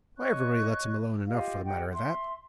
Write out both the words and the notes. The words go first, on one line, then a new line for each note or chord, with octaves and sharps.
'Why everybody lets him alone enough, for the matter of that.
C#5 D#5 C#6 F#6
F4 G4 D#5 F5
G4 D#5 F#5 G5
E5 C6